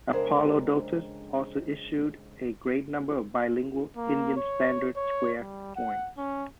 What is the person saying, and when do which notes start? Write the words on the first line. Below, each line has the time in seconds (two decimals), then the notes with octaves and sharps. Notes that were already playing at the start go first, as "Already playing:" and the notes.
Apollodotus also issued a great number of bilingual Indian-standard square coins.
0.13 F2 C#3 G#3 D4 A#4 C5
3.96 A#3
4.36 C#5
4.96 C#5
5.40 G3
5.76 F#5
6.17 C#4